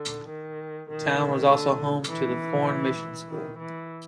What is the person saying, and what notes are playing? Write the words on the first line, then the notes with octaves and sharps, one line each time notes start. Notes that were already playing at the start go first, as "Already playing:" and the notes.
The town was also home to the Foreign Mission School.
Already playing: D3
D#3
D#3
D3
E3
D#3
E3